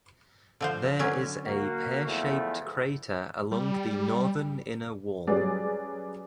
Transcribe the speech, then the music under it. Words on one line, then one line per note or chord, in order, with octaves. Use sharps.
There is a pear-shaped crater along the northern inner wall.
D3 F3 C5
D3 F#3 C#4
A#3 F#4
E2 F3 A3
G3
F#3 G3 C#4 G#4 B4 D5